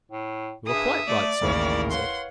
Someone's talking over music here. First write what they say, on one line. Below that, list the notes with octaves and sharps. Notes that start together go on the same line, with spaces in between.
"You are quite right, sir," he said.
A2
G2 G#4 E5 D#6
A3 D5
A1 D#2 C#3 E4 A#4
B4 C#5 F5 F#5 C6